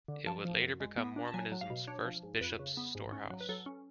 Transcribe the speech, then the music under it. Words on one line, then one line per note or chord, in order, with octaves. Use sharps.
It would later become Mormonism's first bishop's storehouse.
D3
F3 A5
F3
F#2
G#3
B3
D4
A5
F#3 G#5
F#3
F5
B2
D4 C#5
F3
G#2
F2 B4
C#3
B3
G#2
C#4
F#3
B4
F#3 A4
C#4